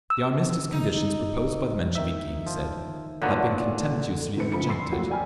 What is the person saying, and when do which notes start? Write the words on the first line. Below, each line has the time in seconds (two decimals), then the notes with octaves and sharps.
The armistice conditions proposed by the Mensheviki, he said, had been contemptuously rejected.
0.10 E6
0.72 D#4
1.95 D#3 D#4 E5
2.47 F3
3.22 A#2 D3 F#3 B3
4.36 G1 E3 C4 A4 B4 C#7
4.52 C#2 F3 B5 C#7
4.68 B5 C6 E6 C7 C#7
4.92 F3 F#3 A3 A#3 F#4 G4
5.10 D5 G5 G#5 B5 F6